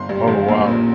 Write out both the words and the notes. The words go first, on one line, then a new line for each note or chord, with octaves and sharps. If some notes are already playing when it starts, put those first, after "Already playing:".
Oh, wow.
Already playing: G1 C6
G2
G1
A#1
A#2